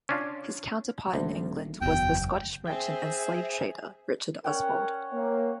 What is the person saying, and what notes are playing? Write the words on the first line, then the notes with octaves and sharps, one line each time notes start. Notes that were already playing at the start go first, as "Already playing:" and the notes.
His counterpart in England was the Scottish merchant and slave trader Richard Oswald.
C#4 D4 F4
D#1 D2
F#1 E2 B2 G5
G#4 C5 E5 G5
C#4 A#4 F#5 G5
A#3 C#5